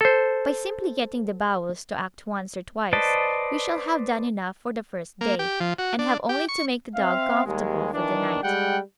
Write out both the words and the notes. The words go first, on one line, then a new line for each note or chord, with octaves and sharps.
By simply getting the bowels to act once or twice, we shall have done enough for the first day, and have only to make the dog comfortable for the night.
A4 C5
B4 C5 D5 D#5 A5
A#3
G4
F3
F#4
D4
G4
C#6
C4 E5 F5
D#2 G3 G#3
D#3 E3 D4
G3 G#3 F#5 G5